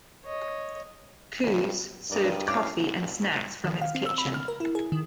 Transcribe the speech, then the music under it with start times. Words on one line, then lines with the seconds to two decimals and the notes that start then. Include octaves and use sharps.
Koo's served coffee and snacks from its kitchen.
0.24 C#5 D#5
2.10 G2 A#4 D5 D#5
2.48 C#4 E4 F5 D6
3.64 D#3
3.82 F5
3.95 C4
4.06 E6
4.18 B5
4.34 F6
4.48 A#4
4.60 E4
4.75 G#4
4.92 D#3